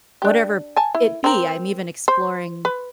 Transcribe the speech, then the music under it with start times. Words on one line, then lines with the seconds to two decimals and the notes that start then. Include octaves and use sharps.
whatever it be. I'm even exploring
0.22 D4 G4
0.76 G#5 A5
0.95 E4
1.24 C4 A#4
2.08 C5
2.65 B4